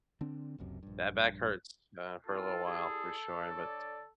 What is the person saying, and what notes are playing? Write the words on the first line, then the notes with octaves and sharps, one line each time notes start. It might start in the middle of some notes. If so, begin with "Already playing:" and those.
that back hurts, uh, for a little while for sure. But,
D3 C4 D4
F#1 C#2 F#2 C3
A#1 G2
E3 C4 F4 A4
G3 E4 G#4
D3 C#5 D5